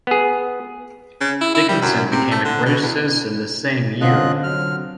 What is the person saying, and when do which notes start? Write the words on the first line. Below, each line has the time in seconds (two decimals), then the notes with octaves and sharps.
Dickinson became a British citizen the same year.
0.07 B3 G#4
1.21 C#3
1.41 E4
1.55 E4
1.69 G3
1.82 F#2
2.12 C3
2.31 A3
2.45 D3
2.66 B2
2.82 E2
4.01 D3 C4 C#4 F4 D#5 F#6
4.43 F#3 F6